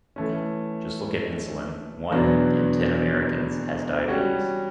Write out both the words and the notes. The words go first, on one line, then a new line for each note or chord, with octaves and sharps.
Just look at insulin. One in ten Americans has diabetes.
E3 A3 C#4
E2 B2 F#3 B3 D4
G3 C#4 F#4